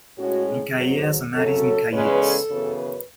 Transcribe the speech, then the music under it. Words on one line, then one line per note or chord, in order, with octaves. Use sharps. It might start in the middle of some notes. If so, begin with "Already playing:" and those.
Nikaias and Aris Nikaias.
A2 G#3 C#4 F#4
G#4
G#2 F#3 B3
F#2 C#3 F#3 C#4 A4
E2 C#3 G#3 C#4 B4
A4
F#2 C#3 E3 B3
B4